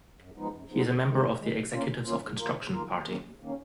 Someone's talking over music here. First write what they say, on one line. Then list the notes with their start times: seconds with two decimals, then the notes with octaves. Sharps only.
He is a member of the Executives of Construction Party.
0.20 F#2
0.37 F3 G#3 B3 D#4
0.53 F#2
0.70 F3 G#3 B3 D#4
0.87 F2
1.05 D#3 G#3
1.22 F2
1.38 D#3 G#3
1.54 B2
1.72 A#3 C#4 F4
1.88 B2
2.05 A#3 C#4 F4
2.22 G#2
2.39 D#3 A#3 F4 A#4
2.55 G#2
2.72 D#3 A#3 F4 A#4
2.90 D#2
3.06 D#3 A#3 C#4
3.22 D#2
3.40 D#3 A#3 C#4